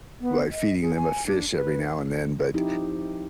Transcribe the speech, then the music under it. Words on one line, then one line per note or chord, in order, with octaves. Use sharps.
by feeding them a fish every now and then, but
B3
D#5
G#4
G#5
D4
B4
F3 C4 D#4 E4 G4